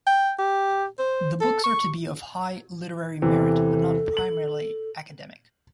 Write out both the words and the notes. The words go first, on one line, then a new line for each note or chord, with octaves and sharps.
The books are to be of high literary merit but not primarily academic.
G5
G4
C5
A4
C#6
E2 C3 E3 A4
F#7